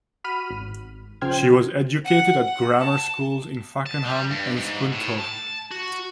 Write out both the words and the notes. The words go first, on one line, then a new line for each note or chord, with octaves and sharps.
She was educated at grammar schools in Fakenham and Scunthorpe.
F#4 B5 F6 D#7
G#1
C#3 F3 C5 G5 F6 G#6
F#5
F#5
A5
A5
G3
G2
G#2
A2
A5
F#4